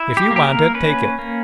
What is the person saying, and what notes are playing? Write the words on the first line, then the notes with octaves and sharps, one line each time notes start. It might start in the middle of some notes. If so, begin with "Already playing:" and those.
If you want it, take it.
Already playing: E4
G4
A#3
G4
A#4
C#4 B4
A#3